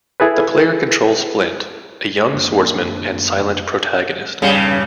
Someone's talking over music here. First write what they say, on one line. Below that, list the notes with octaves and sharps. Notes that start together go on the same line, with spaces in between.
The player controls Flint, a young swordsman and silent protagonist.
E4 G#4 A4 B4
F#2 A#3 D4
E1 G2 C#3 G3 C#4 D4